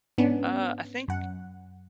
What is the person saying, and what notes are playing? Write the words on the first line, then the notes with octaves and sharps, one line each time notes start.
Uh, I think
G#2 B3 C#4 D4
F#2 F#5